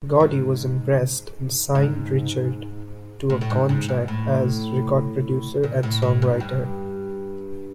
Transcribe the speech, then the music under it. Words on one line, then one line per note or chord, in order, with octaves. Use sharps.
Gordy was impressed, and signed Richards to a contract as record producer and songwriter.
G#2
G#2
A2
A2
G#2
G#2
G#2
A2
A#2
A2
A2
G#2
G2